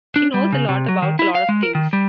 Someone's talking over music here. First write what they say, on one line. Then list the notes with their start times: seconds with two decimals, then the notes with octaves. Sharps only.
She knows a lot about a lot of things.
0.16 D4
0.34 G3
0.52 C#3
0.69 C3
0.88 F#3
1.02 D#3
1.19 E4
1.35 F5
1.49 G#3
1.63 A#4
1.75 D#3
1.93 G3